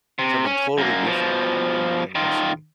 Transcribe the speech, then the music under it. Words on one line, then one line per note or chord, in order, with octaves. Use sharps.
something totally different than you know, than wrestling.
C3
C#4
F#2 A#3
B2 F3
D#3 F4